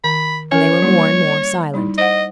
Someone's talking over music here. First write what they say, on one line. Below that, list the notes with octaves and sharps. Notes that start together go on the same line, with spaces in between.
And they were more and more silent.
D#3 B5
C#4 A#4 C#5
G3 A#3 E4
G3 D#4 E4
C5 D#5 F#5